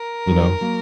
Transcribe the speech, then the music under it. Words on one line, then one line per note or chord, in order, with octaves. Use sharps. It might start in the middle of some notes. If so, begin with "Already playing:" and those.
you know,
Already playing: A#4
D#3 F#3
F#3 A#3